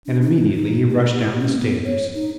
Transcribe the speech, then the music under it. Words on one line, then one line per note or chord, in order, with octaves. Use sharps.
And immediately he rushed down the stairs.
D4
D#4
D#4
G4
E4
C#4
B3
C#5
D#4